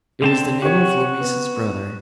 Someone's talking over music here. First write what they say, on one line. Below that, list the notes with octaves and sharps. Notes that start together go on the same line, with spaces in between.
It was the name of Louise's brother.
D3 C4 A5
F#4 G4 C#5
B3